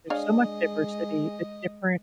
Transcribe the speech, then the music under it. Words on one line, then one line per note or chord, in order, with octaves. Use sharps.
there's so much diversity that different
G#3 D4 G#4 C#5 D#5 F5